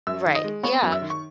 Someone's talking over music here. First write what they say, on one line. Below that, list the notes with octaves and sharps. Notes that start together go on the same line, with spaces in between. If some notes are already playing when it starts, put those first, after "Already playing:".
Right. Yeah.
F#2 E5 E6
D#3
D#5 D#6
G#3
B3 C#5 C#6
F#2
E5 E6
D#3
C#6